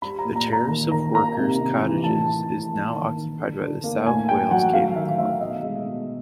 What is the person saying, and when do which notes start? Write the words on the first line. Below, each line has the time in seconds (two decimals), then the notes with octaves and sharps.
The terrace of workers cottages is now occupied by the South Wales Caving Club.
0.02 G3 B5
0.19 A#5
0.25 A#2
0.36 A#5
0.47 A#2
0.53 A#5
0.70 D#3
0.92 D#3 A#5
1.15 A#3 A#5
1.36 C3
1.60 C3
1.82 E3
2.04 A2 A5
2.26 A2
2.49 E3
2.71 A#3
2.94 D#3
3.16 D#3
3.39 D3
3.61 D3
3.84 A#3
4.06 A2 G#5
4.29 A2 G5
4.51 F#3 F#5
4.73 A3 F5
4.96 D#3 E5
5.18 A3 E5
5.40 B2 D#5
5.63 G#3
5.86 B2